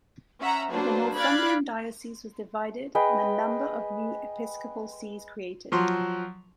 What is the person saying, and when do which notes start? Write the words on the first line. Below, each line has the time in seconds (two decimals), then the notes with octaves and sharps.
The Northumbrian diocese was divided and a number of new episcopal sees created.
0.40 C#4 E5 F#5 A#5
0.71 F#3 A#3 D4 B4 C5
1.18 D5 F5 B5 F#6 G#6 A6
2.95 G#4 B4 D#5 G5
5.72 F3 F#3 C6